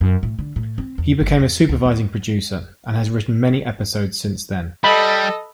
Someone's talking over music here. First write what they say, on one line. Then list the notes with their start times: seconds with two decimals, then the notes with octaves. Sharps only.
He became a supervising producer, and has written many episodes since then.
0.01 F#2
0.23 A2
0.39 D3
0.56 A2
0.78 C4
0.98 E2
1.20 G1
1.40 E2
1.69 D2
1.86 D#2
4.84 G3 A4 D#5 B5